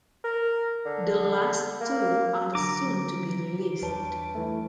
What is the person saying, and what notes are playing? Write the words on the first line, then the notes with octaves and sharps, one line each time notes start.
The last two are soon to be released.
A#4
D3
A#3
D3 F#3 D4 A#5 D6 A#6 D7
E2 G2 B4 C#5 A5
E3 A3